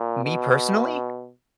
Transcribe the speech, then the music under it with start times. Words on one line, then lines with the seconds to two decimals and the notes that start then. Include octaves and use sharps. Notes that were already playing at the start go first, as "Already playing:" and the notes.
me, personally?
Already playing: A#2
0.24 B2